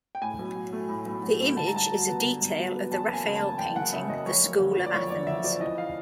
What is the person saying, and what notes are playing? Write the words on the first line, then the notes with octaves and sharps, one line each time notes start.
The image is a detail of the Raphael painting "The School of Athens".
G5
A2 G#5
B1
F#3
A3
A2
B1
F#3
A3
D3 A5
A#5
G2 A5
F#3
B3
D3
G2
F#3
B3
E2 A5
F#1
G#5
C#3
A5
F#1
E2 G5
F#1 F#5
C#3 E5
F#1 D#5
F2 C#5
F#1
D3
F3
D5
F2 C#5
F#1 D5
D3 E5
F3 D5
E3 D#5
F5